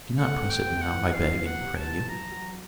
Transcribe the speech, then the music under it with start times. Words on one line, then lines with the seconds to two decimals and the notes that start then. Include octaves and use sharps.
'Do not press it now, I beg and pray you.
0.19 A3 F#5
0.42 C4
0.50 G5
0.67 C4
0.82 F#5
0.90 E3
1.13 E3 F5
1.37 E3
1.45 F#5
1.61 C3
1.76 A5
1.84 E3
2.08 F#3 A#5
2.32 F#3